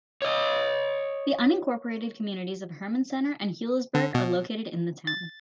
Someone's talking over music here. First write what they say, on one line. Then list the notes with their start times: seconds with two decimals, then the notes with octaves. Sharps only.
The unincorporated communities of Herman Center and Huilsburg are located in the town.
0.22 C#5 D#5
3.95 D3
4.14 B2
5.07 A6